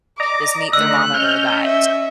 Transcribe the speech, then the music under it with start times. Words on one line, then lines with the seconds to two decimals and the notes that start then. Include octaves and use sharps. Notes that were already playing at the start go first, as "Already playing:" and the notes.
this meat thermometer that
0.20 D5 D#5 A#5 D6
0.73 D3 A3 E6 F#6
1.14 C#4 D#5 F6 G6
1.65 E5 G6